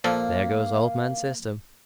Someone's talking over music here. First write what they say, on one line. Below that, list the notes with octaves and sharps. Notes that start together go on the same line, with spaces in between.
"There goes old man System!"
A#2 F3 A#3 A4 F5